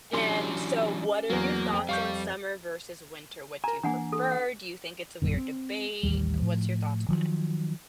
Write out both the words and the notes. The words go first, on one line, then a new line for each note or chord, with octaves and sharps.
And, so, what are your thoughts on summer versus winter? What do you prefer? Do you think it's a weird debate? What's your thoughts on it?
E3 F#3 C#4 D4 G4 C6
E2 F#3 A#3
F2 G5
G3 F5 C#6 G6
A#4 G#5 A#5
E3 A#3 D4 F#5 G#5
A4
F#5
A#1 F#2 A#2 D3
C4
A1 D#2 G3
A2 F3
D#3 F3 F#3